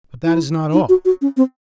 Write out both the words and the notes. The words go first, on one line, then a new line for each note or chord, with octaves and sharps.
But that is not all.
E4
D#4
F#4
F#4
C#4
C4